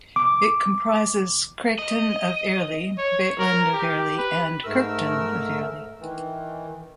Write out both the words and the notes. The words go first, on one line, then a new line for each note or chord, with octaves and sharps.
It comprises Craigton of Airlie, Baitland of Airlie and Kirkton of Airlie.
D6
D#5
C#5
A#4
G4
B4
G#2 A3 A#4 E6
D#3 E3